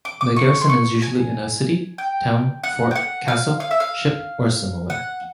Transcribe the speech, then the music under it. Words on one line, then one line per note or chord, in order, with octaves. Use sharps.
The garrison is usually in a city, town, fort, castle, ship or similar.
D6
D6
C#6
C6
C#6
G#5
G5
F#5
G5
F#5
F5
F5
E5
F5
F#5